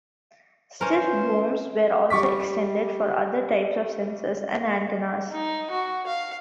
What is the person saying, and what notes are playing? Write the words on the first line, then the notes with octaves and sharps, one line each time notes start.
Stiff booms were also extended for other types of sensors and antennas.
E3 C#4 A#4 C5
G3 C#6 D6 B6
D#4
F#4
F5